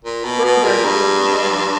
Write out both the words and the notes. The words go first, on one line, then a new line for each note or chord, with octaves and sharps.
Broberg in command.
A#2
B2
B2
A#2
G2